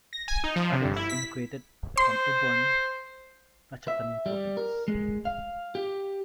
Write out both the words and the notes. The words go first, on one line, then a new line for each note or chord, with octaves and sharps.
Others immigrated from Ubon Ratchathani Province.
A#6
G#5
D#4
F3
C3
G1
E4
B6
C5 C6
E5
G3
A#4
G#3
F5
G4